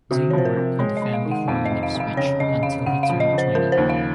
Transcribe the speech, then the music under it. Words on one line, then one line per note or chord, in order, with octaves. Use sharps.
Dane worked on the family farm in Ipswich until he turned twenty.
C3 F#4
C#5
F3 C5
A#4
C3
G#3 C#5
D#5
G#3
F5
D#3
F#5
F2 F5
D#5
F1
F5
F1
F5
C#3 C#5
C#3 D#5
C#3 F5
C#3 F#5
F5
F3
D#5
C#3
C5
F3 A#4
C5
D#2
F5